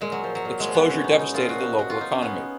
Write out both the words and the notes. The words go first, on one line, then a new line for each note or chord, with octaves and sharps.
Its closure devastated the local economy.
A#2 G#3
F#3
F3
F#3
A#2
G#3
F3
B3
B2 C#4
D#4
B2
D#4
A#2 F4
F#4
F3
B2 F#4
F4
B2 D#4
C#4
B2 B3